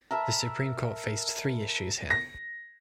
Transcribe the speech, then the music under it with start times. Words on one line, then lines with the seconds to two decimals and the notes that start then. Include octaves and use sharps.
The Supreme Court faced three issues here.
0.11 A#4 E5 A5 B5
2.10 A#6